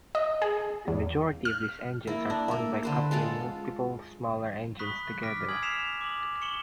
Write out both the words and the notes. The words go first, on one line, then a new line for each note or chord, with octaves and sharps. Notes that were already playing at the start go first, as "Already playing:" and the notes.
The majority of these engines are formed by coupling multiple smaller engines together.
D#5
G#4
E2
F6
A#3 E4
D4
A#3 E5
D3 B4 C5
G#3 F4 A4 F5
B5 C#6 D#6 F#6 B6
D6 F6 A#6 B6 D7
G#5 D#6 F6 G#6 F#7
E6 F6 B6 C7 E7 F7
D6 D#6 F#7
C#6 C#7 E7 F#7 G7